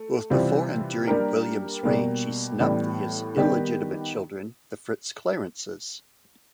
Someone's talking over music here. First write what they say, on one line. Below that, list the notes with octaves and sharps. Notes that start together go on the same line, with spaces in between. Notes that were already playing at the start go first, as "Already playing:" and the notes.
Both before and during William's reign, she snubbed his illegitimate children, the FitzClarences.
Already playing: A3
C3 E3 G3 C4 F4
G3 A#3 D4 G4 A#4
B2 G3 A#3
A2 E3 G3 B3
D#3 G3 B3 D#4 G4